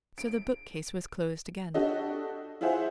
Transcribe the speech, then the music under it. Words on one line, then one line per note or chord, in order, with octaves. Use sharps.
So the bookcase was closed again.
D7
D4 F#4 G4 A4 D#5
E4 F4 G#4 C5 E5 F#5